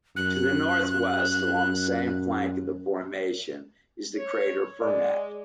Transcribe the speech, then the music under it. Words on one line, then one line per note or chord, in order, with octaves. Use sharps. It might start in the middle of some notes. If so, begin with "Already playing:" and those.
To the northwest along the same flank of the formation is the crater Fermat.
F#2 F#6
C#5
G#3 D5